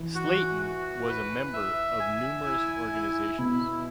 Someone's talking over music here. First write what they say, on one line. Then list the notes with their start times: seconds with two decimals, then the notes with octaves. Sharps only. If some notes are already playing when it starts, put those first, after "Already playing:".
Slayton was a member of numerous organizations.
Already playing: E3
0.15 F#4
0.62 F#4
1.08 B4
1.54 E5
2.00 G#5
2.45 E4
2.93 E4
3.38 B2 E4